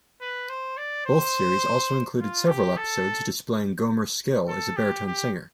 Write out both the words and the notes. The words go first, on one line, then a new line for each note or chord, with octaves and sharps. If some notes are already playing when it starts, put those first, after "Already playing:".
Both series also included several episodes displaying Gomer's skill as a baritone singer.
B4
C5
D5
C5
F4
G4
A4
A4
G4
G4